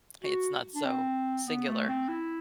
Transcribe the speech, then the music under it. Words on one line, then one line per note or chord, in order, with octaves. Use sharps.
It's not so singular.
F#4
D4
C4
B3
A3
C4
E4